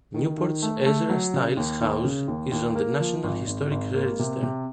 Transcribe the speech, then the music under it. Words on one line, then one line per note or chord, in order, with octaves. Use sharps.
Newport's Ezra Stiles House is on the National Historic Register.
D#3
D#3
A3
A3
F#3
C#3
D#2
D#2
C#3
D#2
D#2
A#3
F3
G#1
G#1
G#1
A#3
C3
C3